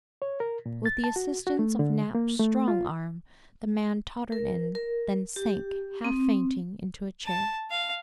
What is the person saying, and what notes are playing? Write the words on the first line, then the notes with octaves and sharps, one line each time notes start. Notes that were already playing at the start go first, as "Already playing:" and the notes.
With the assistance of Nap's strong arm, the man tottered in, then sank, half fainting, into a chair.
C#5
A#4
A#2
A6
A5
F#4
F#4
A3
D3
A#3
A3
F4
A#4
A#4
G4
C4
A5
F5